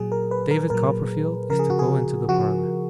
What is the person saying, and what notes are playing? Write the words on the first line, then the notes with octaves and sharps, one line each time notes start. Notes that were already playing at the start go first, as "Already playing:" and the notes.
'David Copperfield is to go into the parlour.'
Already playing: A#2 F#3 G#4
A#4
B4
A#4
A#2 F#3 A#4
C#3 F3 A#4
G#4
F#4
G#4
C#3 F3 F#4